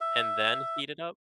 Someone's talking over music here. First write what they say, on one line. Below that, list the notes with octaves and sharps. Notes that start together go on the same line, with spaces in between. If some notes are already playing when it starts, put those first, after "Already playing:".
and then heat it up
E5